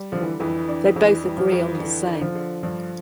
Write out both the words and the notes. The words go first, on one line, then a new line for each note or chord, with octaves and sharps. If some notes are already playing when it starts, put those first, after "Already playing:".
They both agree on the same.
Already playing: G3
D3 F3
E3
F2 E3
D4
F2 F3
E3
E3 G3
F3
F2
D3 E3
D3
F3
D3
G2 F3